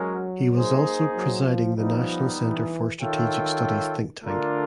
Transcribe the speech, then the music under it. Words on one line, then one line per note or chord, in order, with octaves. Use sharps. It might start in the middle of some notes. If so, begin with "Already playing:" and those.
He was also presiding the National Centre for Strategic Studies think tank.
Already playing: F#3 G#3 C#4 F#4 A#4
A#3 D#4 G#4 C5
F#3
F3
F3 G3 B3 D#4
E3
D#3 F4 A4 C#5 E5 G5
D3 A3 D4 F4 A#4 D5